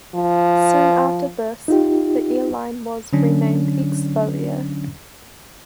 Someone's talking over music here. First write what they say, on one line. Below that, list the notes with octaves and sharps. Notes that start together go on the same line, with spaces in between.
Soon after this, the airline was renamed ExpoAir.
F3
D#4 F4 G4
D3 F#3 C#4 D4